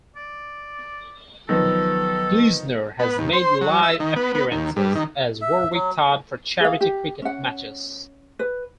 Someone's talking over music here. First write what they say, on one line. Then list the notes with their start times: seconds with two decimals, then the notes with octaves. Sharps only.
Gleisner has made live appearances as Warwick Todd for charity cricket matches.
0.16 D5
1.49 A1 D#3 F3 F#3 B3 A4 A#6
2.99 B3
3.18 D#2
3.33 C5
3.61 F#3
3.83 E5
4.00 D#3
4.16 B3
4.34 B3
4.51 D#2
4.76 G2
4.95 D#3
5.41 E5
5.73 F#3
6.60 G#4 F5
6.81 G4
7.22 C#4 F#5
8.39 B4